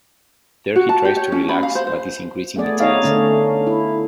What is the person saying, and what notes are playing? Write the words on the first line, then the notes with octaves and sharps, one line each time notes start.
There he tries to relax but is increasingly tense.
F#4
A5
G4
C#5
C#4
B5
F5
C5
C5
A3 B3 G#4 D5
D#4 G#4 C#5 D#5 F5
D3 A3 C#4
E4